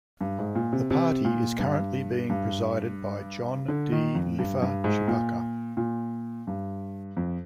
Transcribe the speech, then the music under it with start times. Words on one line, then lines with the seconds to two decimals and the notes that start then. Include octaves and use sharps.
The party is currently being presided by John D. Lifa Chipaka.
0.21 G2
0.39 G#2
0.55 A#2
0.73 C3
0.91 C3
1.25 A#2
1.60 G2
2.30 G2
3.68 D3
3.92 D#3
4.15 F2
4.39 G2
4.62 G2
4.84 G#2
5.08 A#2
5.77 A#2
6.47 G2
7.17 F2